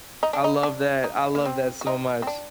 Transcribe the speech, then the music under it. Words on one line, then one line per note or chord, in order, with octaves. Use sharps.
I love that I love that so much.
D#4
D4
D#4
D4
D#4
A#3
C4
F#4
D#4
C4
D4